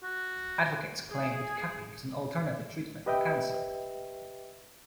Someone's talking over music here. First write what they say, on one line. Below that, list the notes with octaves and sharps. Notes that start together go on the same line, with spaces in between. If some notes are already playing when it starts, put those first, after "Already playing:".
Advocates claim that cupping is an alternative treatment for cancer.
F#4
G#4
G4 B4 D#5 E5 G5